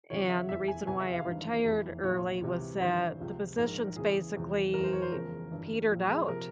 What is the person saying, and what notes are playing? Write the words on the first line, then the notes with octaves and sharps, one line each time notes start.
and the reason why I retired early was that the positions basically petered out.
E2 C#3 F3 C#5
E5
F1 E2 E3 E5
G#5
E2 C3 E3 G#5
E5
F5
G#1 G2 E3
F1 E2 E3
C2 A#2 F3 C#5
C#2 C3 E3
G#1 G2 E3 C5
C#2 C3 F3
A#1 G#2 F3 A#4
E2 C#3 E3 G#4
E1 E2 C3 F3
F1 E2 E3 A#4
C5
C#5
C5
E1 E2 C#3 F3 A#4
G1 G2 E3
A#1 A#2 F3
G#4
C3 F3 A#4